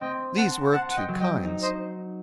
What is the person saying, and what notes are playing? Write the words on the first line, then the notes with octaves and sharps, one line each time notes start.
These were of two kinds.
C4 D#5 G5
C4 F#5 A5
C4 F#5 A5
F#5
D#5 G5
F#3
D#5 G5
D#4
C5 D#5